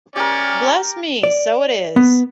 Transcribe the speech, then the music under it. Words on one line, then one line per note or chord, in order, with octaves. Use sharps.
Bless me, so it is!
C#4 G4 A#4 D5
D5
B3